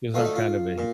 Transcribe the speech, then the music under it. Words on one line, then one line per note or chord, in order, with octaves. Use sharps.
'cause I'm kind of a hi
D2 D3 A3 F4
D#4
F4
A#2